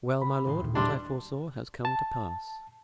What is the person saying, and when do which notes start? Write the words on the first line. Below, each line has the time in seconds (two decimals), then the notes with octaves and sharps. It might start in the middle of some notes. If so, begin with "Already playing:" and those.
"Well, my lord, what I foresaw has come to pass."
0.22 C#3 B5
0.45 G#1 A2 C6
0.60 D#2 A#2
0.75 G3 D4 D5 E5 C6 D6
1.85 A5